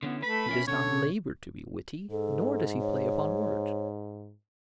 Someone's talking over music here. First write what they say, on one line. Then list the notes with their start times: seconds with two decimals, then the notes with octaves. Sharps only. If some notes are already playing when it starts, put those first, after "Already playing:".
He does not labour to be witty, nor does he play upon words....
0.03 D3 B3 C#4 E4
0.23 A3 B4 B5
0.49 C#4 F4 A#4 E5
0.67 B2 D3 C#4 C#5
2.11 G#2 A4
2.81 C#5